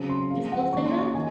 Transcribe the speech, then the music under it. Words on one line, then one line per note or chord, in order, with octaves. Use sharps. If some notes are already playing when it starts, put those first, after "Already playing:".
they still say that?
Already playing: C#3 F#3 C4
C6
F3 G#3 C4 F5
F#5
D#3 A#3 C#4 C#6
C6
C#6
D#3 G#5